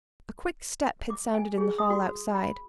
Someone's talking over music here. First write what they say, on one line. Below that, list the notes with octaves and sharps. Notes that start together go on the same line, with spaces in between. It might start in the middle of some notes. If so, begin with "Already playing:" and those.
A quick step had sounded in the hall outside.
D6
G#5
G#4
D#6
F#4
B5